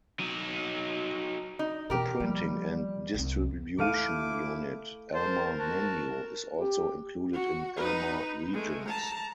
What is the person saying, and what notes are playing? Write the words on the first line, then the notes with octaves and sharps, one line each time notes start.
The printing and distribution unit Alma Manu is also included in Alma Regions.
F#3 D#4
D#4
B2 E3 G4 A#4
F3 G3
C2 C4
A3 E4 F5 D6 D#7
A#4 C5 A5
F#4 A5
G4
F#4
D#4 B4
G#3 A3
A5 A#5